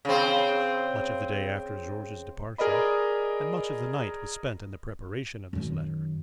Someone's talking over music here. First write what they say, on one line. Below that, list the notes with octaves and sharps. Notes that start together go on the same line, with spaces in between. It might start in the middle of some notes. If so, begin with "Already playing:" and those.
Much of the day after George's departure, and much of the night, was spent in the preparation of this letter.
C#3 C4
G#4 A#4 D5 D#5 B5
F#2 D#3